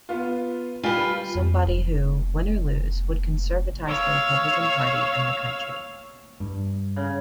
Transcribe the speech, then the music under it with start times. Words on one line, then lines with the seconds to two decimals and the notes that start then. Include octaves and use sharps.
Somebody who, win or lose, would conservatize the Republican party and the country.
0.09 B3 F4
0.83 G3 F4 B4 G5 G#5
1.35 F2
1.65 F1
3.86 C#5 F5 E6
6.40 G2
6.96 C#3